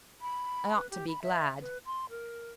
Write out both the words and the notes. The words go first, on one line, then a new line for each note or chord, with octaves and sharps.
I ought to be glad.
B5
B4
G4
B5
E5
B4
C6
A#4